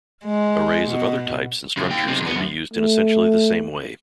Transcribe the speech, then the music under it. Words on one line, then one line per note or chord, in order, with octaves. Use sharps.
Arrays of other types and structures can be used in essentially the same way.
G#3
B2
C#2 F#2
A#3 G5
B1 C3
E2 B3
F#2
A3